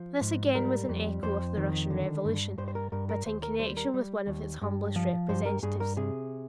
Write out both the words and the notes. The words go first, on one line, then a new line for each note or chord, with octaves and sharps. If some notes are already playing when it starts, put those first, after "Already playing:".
This again was an echo of the Russian revolution, but in connection with one of its humblest representatives.
Already playing: F3
G#2
G3 A#4
F2
F2 C5
D#3
D3
G2
G2 C5
C5
A#4
G2 A#4
A#4
D#2 C5
A#4
G3 C5
A#4
G3
D#2
G2
F3
G2 C5
A#4
G2 G#4
A#4
C3 G#4